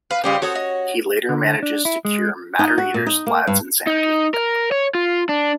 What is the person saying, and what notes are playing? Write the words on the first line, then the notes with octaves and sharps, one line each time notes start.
He later manages to cure Matter-Eater Lad's insanity.
B4 F5
C#3 G3 F4 G4 C5
F#4 A4 C5 C#5 D#6
D#5
D3
D4
E4
G#3
D#4
F#4
A#2
D#4
A#3
G2
D#4
A#4
C#5
F4
D4